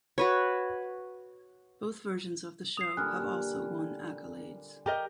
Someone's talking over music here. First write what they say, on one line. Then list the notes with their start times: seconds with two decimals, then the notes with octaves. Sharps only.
Both versions of the show have also won accolades.
0.18 F#4 B4 C#5
2.77 D#6 C7 F7
2.97 A#2 D3 G3 G#5 F6 F#6
4.86 G4 A#4 D#5